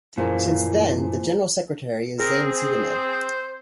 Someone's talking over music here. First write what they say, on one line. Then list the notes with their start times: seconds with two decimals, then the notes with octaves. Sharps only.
Since then, the General Secretary is Zain Sidahmed.
0.18 F#2 A#2 E3 F3 A#3 G#4
2.20 C4 G#4 A#4
2.53 C5